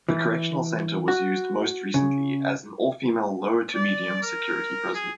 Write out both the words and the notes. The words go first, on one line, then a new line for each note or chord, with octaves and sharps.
The correctional centre was used most recently as an all-female low-to-medium security prison.
E3
F#4
C#3
D5
A#4
G#4